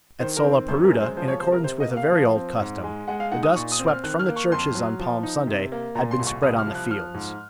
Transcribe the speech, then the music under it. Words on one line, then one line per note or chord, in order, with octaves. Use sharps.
At Solaparuta, in accordance with a very old custom, the dust swept from the churches on Palm Sunday had been spread on the fields.
D#3 C5
A#4
C4
C5
F#2 C5
A#4
G#3
C5
F3 C5
C#5
C3 C5
A#4
C3 C5
D#5
A#3
F5
F3
C4
G#2
G#3
G#3 F#5
F5
D#4 F#5
D#6
A#2 C#6
D#6
C4
F6
D#3 F#6
F6
A#3
C#6
F2 C6
F#3
F3
D#4
C3
A#3
A#2 A#5
C6
C2
C#6
C2 D#6
F6
F3
F#6
F3 F6
G#2